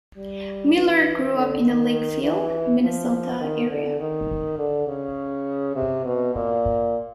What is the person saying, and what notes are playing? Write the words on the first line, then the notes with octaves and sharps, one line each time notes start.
Miller grew up in the Lakeville, Minnesota, area.
G3
E3
D3
D#3
E3
F3
D#3
D3
D#3
D3
C#3
C3
B2
A#2